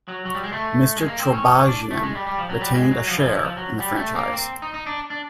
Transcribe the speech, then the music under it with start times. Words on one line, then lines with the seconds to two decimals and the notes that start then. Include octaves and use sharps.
Mr. Chorbajian retained a share in the franchise.
0.08 F#3
0.25 F#3
0.35 G3
0.44 G#3
0.53 A3
0.97 G#3
1.08 A#3
1.19 C4
1.32 C#4
1.67 D4
1.91 A3
2.03 G#3
2.15 G3
2.27 G3
2.38 F3
2.49 F#3
2.61 G3
2.74 G#3
2.91 F#3
3.09 F3
3.17 E3
3.26 F3
3.36 E3
3.44 F3
3.57 F#3
3.80 G3
3.97 A3
4.15 A#3
4.32 C4
4.62 D#4
4.74 D#4
4.86 D4
5.10 D4